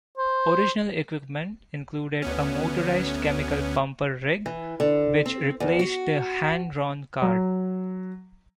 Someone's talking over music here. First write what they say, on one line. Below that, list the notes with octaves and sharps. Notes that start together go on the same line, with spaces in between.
Original equipment included a motorized chemical pumper rig, which replaced the hand-drawn cart.
C5
D2 B3 C#4
E3
D3
C4
E2
F#4
F#3